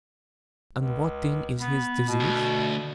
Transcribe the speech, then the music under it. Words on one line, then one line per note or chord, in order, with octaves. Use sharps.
'And what then is his disease?'
C#2
B3
B2
D2